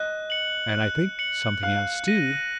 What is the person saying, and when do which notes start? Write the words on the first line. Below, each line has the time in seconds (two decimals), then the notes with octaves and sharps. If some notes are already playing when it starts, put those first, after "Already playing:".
"And I think something else, too."
Already playing: D#5 F#6
0.30 C#7 F#7
0.75 F#6
1.19 C#7 F#7
1.63 F5 F#6
2.08 A#6 D#7